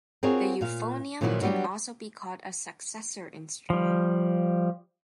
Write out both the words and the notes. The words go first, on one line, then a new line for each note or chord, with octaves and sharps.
The euphonium can also be called a successor instrument.
C4 F4 F#4 G#4 A#4 C#5
A#2 F5
A#2 D#3 F3 F#3 E4 B4
F#3 G3 B3 D4 G4
F3 G3